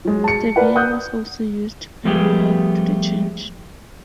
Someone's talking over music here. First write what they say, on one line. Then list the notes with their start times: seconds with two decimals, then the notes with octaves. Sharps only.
Stevia was also used prior to the change.
0.05 F#3 G#3
0.24 A5 C#7
0.56 A#4 B4 D5 F#5
0.75 F#5 D#6 F#6 G6
2.05 F3 G3 A3 B3 G4 G#4